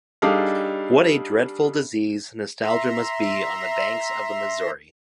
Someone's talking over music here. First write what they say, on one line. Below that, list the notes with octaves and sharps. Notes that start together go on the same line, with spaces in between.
What a dreadful disease nostalgia must be on the banks of the Missouri.
G3 D4 D#4 G#4 A4 F5
E5 A#5 C6